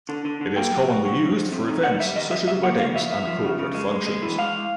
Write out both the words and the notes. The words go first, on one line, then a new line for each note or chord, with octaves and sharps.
It is commonly used for events such as weddings and corporate functions.
D3
D3
D3
A#3 G5
F#3
F#3
F#3
F2
F2
C3
D#3
G3 F#5
G3 E5
D#3 D#5
C3 E5
C#3 E5
A#3 F#5
C#3 F5
F3 E5
F2 E5
F3
C#3
C#3
G#3
G#3
G#3
E3
G#3 F5